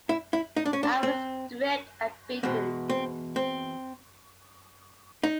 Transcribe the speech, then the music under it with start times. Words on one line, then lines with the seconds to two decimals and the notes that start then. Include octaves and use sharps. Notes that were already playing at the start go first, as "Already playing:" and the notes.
I was stripped and beaten.
0.09 E4
0.33 E4
0.56 D#4
0.65 D4
0.73 C#4
0.83 D4
1.03 C4
2.43 E2 B2 G#3 C4
2.90 C4
3.36 C4
5.23 D#4